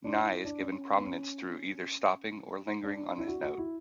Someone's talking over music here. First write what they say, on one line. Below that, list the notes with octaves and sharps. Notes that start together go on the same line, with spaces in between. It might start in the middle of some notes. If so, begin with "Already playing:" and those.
Ni is given prominence through either stopping or lingering on this note.
D4
E4
E4
D4
C#4
B3
C#4
D4
E4
F#4
F#4
E4